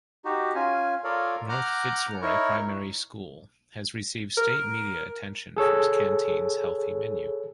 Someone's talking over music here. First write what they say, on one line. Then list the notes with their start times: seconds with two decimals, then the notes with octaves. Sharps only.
North Fitzroy Primary School has received state media attention for its canteen's healthy menu.
0.25 D#4 F#4 G4
0.55 C#4 F4 G#5
1.04 F4 A4 A#4 C#5 D5 F5
1.49 F#5 A#5 D6 F6 G6
2.22 D#4 E4 A#4 C#5 C#6
4.38 A#4
5.57 G#4 A4 C#5